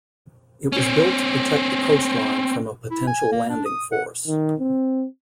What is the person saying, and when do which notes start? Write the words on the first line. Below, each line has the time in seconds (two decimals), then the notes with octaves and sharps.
It was built to protect the coastline from a potential landing force.
0.72 C4 C#4
2.91 E4
3.07 G#5
3.32 A#3
3.50 D4
3.65 D#6
3.92 F#5
4.27 D#3
4.60 C4